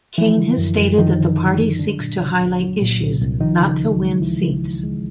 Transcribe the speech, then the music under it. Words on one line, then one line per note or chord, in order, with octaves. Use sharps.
Kane has stated that the party seeks to highlight issues, not to win seats.
E3 F3 E4
D3
F#2
F#2
D#3 F3 D#4
D3
F#2
F#2
D3 F#3 D4
A#2
C2
C2
F#3
A#2
C2
C2
D#3 F3 D#4
C#3
C#2
G#3
E3 F3 E4
C#3
C#2
G#3